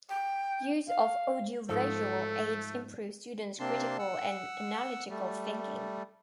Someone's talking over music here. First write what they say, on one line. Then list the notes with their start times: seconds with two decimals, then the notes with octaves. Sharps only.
Use of audio visual aids improves students' critical and analytical thinking.
0.09 G5
0.87 F5
1.69 G#2 F3 A3 A4
3.60 C3 A#3 C4 D4 A5 C6
3.99 F#5 E6
5.10 G3 A3